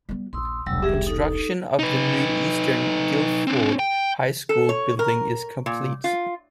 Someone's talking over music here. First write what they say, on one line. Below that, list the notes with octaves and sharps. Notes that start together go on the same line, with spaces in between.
Construction of the new Eastern Guilford High School building is complete.
G3 B3
A#1 D#2 C6 D#6 E6
E1 C2 F#3 G3 E6
G3 G4 G#4 E5
D#4 A4
D#4 B4
C4 D4
G5
A4
C#5
A#4
A#2
F4